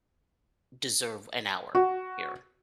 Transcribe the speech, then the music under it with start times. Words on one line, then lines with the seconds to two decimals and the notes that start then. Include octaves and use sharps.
deserve an hour, here
1.75 F#4